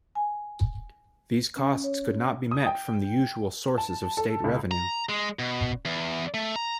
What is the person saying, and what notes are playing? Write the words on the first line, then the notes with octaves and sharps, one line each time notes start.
These costs could not be met from the usual sources of state revenue.
G#5
C#4
C#5
D#6
G5
A5
A4
C#2
A#5
G#3
B2
E2
A3
A#5